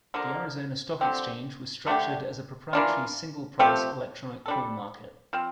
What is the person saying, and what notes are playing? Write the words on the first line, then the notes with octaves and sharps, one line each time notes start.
The Arizona Stock Exchange was structured as a proprietary "Single Price" electronic call market.
D3 F3 A#3
D3 F3 C4 G4
D3 A3 D4 G4
E3 A#3 D4 F4
F3 A3 C4 G4
G3 D4 A4
F3 C4